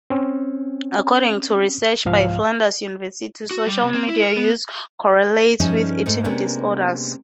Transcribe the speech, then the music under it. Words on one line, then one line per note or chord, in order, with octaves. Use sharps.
According to research by Flinders University social media use correlates with eating disorders.
C4 C#4
C2 G#2 F3 F5
F#4
G3
C3
C4
E4
A#4
B3
G2 F3 C#4 D#4 G#4 E5
G#2 A3
C3 G#3 A#3 B3 C#4 D4